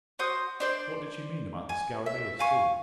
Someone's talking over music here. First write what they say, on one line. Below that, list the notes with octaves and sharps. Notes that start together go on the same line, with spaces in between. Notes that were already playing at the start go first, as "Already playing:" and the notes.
What did she mean about the scarabaeus too?
F#4 C5 D#6
D4 C5 D5
G#5
E5
F5 G#5 C#6